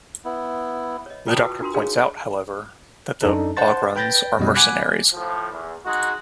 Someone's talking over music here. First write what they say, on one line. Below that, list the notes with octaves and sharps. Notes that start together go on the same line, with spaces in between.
The Doctor points out, however, that the Ogrons are mercenaries.
B3 E4
C#5 D#5
F4 G5 A5 D#6
F#4 B4
D4 F4 F#4 A#4 C6
D4 D#4 G#4 A#4 C#5 F5
F#2 D4 D#4 A4
C5 F#5 A5 C6 A6
B4 G5 B5 G6 A6 A#6
F#2 B2 G3 D#5
F#5 G#5 B5 D6 F#6
A2 F3
E2
G#3 D#4 F#4